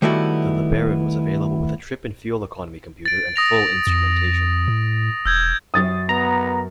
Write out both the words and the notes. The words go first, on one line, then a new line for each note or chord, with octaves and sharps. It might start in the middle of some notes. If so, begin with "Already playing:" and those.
The LeBaron was available with a trip and fuel economy computer and full instrumentation.
D#3 G3 A3 B3 E4 F#4
A6 D7
D#6 A#6 F7
F2
A2
E1 E6 G6 G#6
F#2 F#3 D#6 A6 C7
B3 A#4 A#5